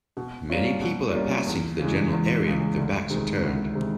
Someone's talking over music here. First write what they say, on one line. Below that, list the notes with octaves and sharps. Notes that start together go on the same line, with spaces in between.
Many people are passing through the general area their backs are turned.
B2
G3 A#3 C#4 F4
B2
G3 A#3 C#4 F4
E2
C#3 E3 G#3
E2
C#3 E3 G#3
D2
C3 D#3 G#3
D2
C3 D#3 G#3